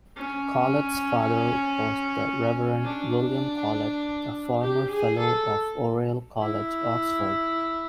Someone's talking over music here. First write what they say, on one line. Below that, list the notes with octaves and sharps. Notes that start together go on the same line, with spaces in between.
Collett's father was the Reverend William Collett, a former fellow of Oriel College, Oxford.
C#4
D4
G4
G#4
A4
E4